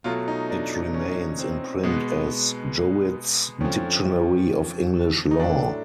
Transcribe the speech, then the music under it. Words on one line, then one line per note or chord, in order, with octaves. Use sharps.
It remains in print as "Jowitt's Dictionary of English Law".
B2 F#3 A3 F4
D#4
D4
C#4
C4
B2 G#3 B3
F2 D3 F3 C#4
D#4
A2 F#3 A3 D4